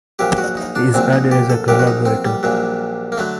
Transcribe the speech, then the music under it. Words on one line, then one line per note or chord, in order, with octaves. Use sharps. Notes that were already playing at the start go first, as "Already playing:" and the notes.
He is added as a collaborator.
A#1 A#2 F#3 G4
F#4
D#4
D4
A#1 A#2 F#3 C4
D#4
G4
A4
A#1 A#2 F#3 G4
F#4
D#4
C4
G3
A#1 A#2 F#3
A#3
D3 F#3 A3